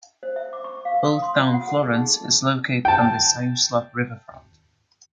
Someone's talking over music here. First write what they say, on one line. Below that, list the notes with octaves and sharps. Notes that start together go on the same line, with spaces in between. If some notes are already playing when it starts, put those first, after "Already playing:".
Old Town Florence is located on the Siuslaw riverfront.
C5
E5
D6
C#6
F5
D#6
C6
F4
F#5
A4
G#4
D#4
G5 A5